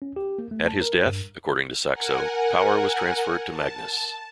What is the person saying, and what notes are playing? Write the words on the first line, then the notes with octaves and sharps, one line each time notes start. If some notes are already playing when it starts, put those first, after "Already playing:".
"At his death", according to Saxo, "power was transferred to Magnus".
C#4
G4
A#3
A3
A5
A#4
G2
A#4 F#5 G#5
A5